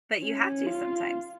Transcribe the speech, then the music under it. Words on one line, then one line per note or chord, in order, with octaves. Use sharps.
but you have to sometimes.
C#4
F4